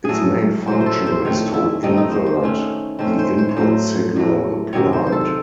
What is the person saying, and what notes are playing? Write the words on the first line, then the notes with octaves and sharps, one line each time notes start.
Its main function is to invert the input signal applied.
A2 F#3 A3 G#4 A4
A2 F#3 A3 C5
C5
A4
C5
D#3 A3 C4 C#5
E4
D#3 A3 C4 D#4
D#4
C5
C5
D#3 A3 C#4
D#3 A3 C#4 C5
C5
C5
C#5
A2 F#3 A3 C5
A2 F#3 A3
C3 D#3 F#3 C4 C#5
C5
C5
A4